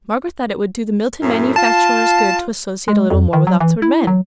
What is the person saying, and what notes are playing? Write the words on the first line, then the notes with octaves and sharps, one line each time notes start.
Margaret thought it would do the Milton manufacturers good to associate a little more with Oxford men.
F#2 A2
F4 A5
G#3
F2
D#3
F#3
E3
E4
F#3